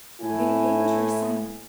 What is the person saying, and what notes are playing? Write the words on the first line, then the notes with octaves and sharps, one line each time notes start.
'A very dangerous sign!
A2 E4 G#5